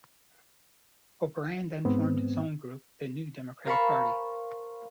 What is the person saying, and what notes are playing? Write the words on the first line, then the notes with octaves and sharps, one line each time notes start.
O'Brien then formed his own group, the New Democratic Party.
G#2 B3 C4
A#4 C5 F5 A5 B5 C#6